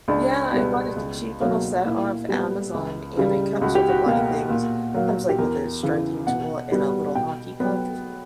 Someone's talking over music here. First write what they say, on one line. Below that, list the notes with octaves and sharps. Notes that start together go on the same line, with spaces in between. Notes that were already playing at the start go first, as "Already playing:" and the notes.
Yeah, I bought a cheap little set off Amazon and it comes with a lot of things; comes, like, with a striking tool and a little hockey puck
C#2 D4
B2 G3 B3
C#2
B2 F#3 A#3
A#2 E4
G3 B3
C#2
C#3 G3
C#2 F#4
G4
F#4
B2 A#3
A#2
F#3 A#3
G4
E2 A#4
C#3 E3
B2 F#5
G3 B3
B2 G5
F#3 B3